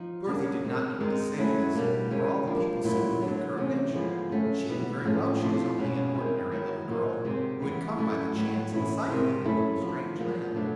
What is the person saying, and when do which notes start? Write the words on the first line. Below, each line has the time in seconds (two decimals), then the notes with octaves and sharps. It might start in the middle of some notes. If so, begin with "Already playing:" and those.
Dorothy did not know what to say to this, for all the people seemed to think her a witch, and she knew very well she was only an ordinary little girl who had come by the chance of a cyclone into a strange land.
Already playing: F3 D#4
0.27 C#3 F#3 A#3 D4
0.64 D#3 G#3 C4 D#4
1.00 D#3 G#3 C4 D#4
1.38 F#3 A3 C#4 E4
1.74 B2 G3 A#3 D4
2.10 D#3 G#3 C#4 E4
2.47 F3 A#3 D4
2.84 A#2 F#3 A3 C#4 E4
3.21 D3 F#3 B3 D4
3.57 C3 E3 A3 C#4
3.94 D3 F3 G#3 B3
4.31 F#3 A3 C#4
4.68 B2 G3 B3
5.04 A2 F3 A3 C#4
5.41 C3 F3 A3 D4
5.78 B2 G#3 C#4
6.15 D#3 G#3 C4 E4
6.52 D#3 F#3 B3 E4
6.88 A#2 F#3 A#3 D#4
7.25 C3 D#3 G#3 C4
7.62 E3 G3 B3
7.98 F#3 A3 C#4 E4
8.34 A2 F#3 B3
8.71 E3 A3 C#4 E4
9.08 C3 D#3 G#3 C4
9.45 F#3 A3 C#4 E4
9.81 F3 G#3 B3 D4
10.18 A#2 F3 G#3 B3
10.55 B2 F#3 A3 D4